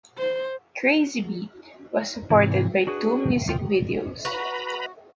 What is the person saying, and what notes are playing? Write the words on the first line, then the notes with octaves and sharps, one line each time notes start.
"Crazy Beat" was supported by two music videos.
C5
G#2 C3 E3
D4 F#4 G#4 B4
E2 F4 G5
F#4 B4 A#5 B5